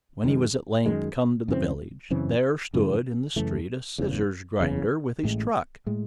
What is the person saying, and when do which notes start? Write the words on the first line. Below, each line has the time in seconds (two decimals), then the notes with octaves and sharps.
When he was at length come to the village, there stood in the street a scissors-grinder with his truck.
0.24 F#2 D#3 G#3
0.86 F#2 D#3 G#3
1.48 F#2 C#3 E3 C4
2.11 F#2 C#3 E3 C4
2.74 F#2 C#3 E3 A3
3.36 F#2 C#3 E3 A3
3.98 F#1 E2 C#3
4.61 F#1 E2 C#3
5.23 A1 A2 G#3
5.86 A2 G#3